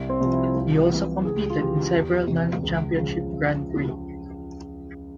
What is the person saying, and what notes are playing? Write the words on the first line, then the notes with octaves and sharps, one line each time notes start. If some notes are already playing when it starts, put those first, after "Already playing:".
He also competed in several non-Championship Grand Prix.
Already playing: C2
C4
C3 F3
E4
C2 F4
C3 E3
C#2 G#4
G4
F4
C#3 E3 G4
E2
C3 E3
C#2
C#3 F3